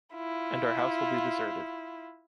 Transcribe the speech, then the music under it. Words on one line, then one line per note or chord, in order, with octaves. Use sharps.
And our house will be deserted.
E4 F4